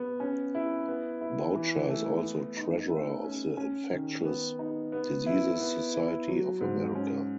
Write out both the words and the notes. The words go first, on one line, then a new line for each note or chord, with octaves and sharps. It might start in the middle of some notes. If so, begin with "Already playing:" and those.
Boucher is also treasurer of the Infectious Diseases Society of America.
Already playing: B3
C#4
E4
B3
E4
E3
A3
B3
D#4
A3
C#4
C#4
D#3
B3
D#4
B3
E4
B3
E4
F#3
G#2
C#4